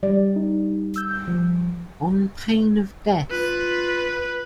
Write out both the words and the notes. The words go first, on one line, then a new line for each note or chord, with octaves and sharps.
On pain of death.
G3 D5
D#4
E6 G6
F3
F4 B4